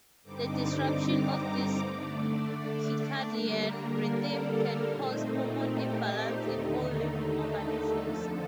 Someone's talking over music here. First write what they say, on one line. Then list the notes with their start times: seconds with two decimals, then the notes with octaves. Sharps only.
The disruption of this circadian rhythm can cause hormone imbalance in all living organisms.
0.23 G2 D3 G3 C4 D#4 D6
1.00 A#5
1.77 D3 A3 D4 D5
3.33 D3 G3 A#3 D4 A#4
4.09 A4
4.87 A#2 A3 C4 D#4
5.65 G4
6.42 D#2 D3 A3 D#4
7.20 A4
7.96 F2 D3 F3 A4